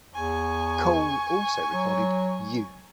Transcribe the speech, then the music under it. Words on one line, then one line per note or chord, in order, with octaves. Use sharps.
Cole also recorded "You".
E2 G#5 C#6
F#3